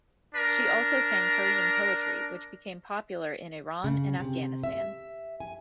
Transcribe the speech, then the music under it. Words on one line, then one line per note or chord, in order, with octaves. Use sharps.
She also sang Persian poetry, which became popular in Iran and Afghanistan.
D4 A#4
C#3
C3
E5
G#5